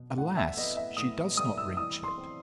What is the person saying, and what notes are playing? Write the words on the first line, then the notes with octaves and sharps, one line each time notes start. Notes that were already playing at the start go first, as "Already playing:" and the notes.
Alas, she does not reach it!
Already playing: B2
A2 F#5
E5
B3 D#5
E5
A2 D#6
G3 D#6
E6
E3 D#6
C6
C4